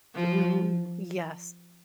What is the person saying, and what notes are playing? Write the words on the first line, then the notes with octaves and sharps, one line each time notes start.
Ooh, yes.
F3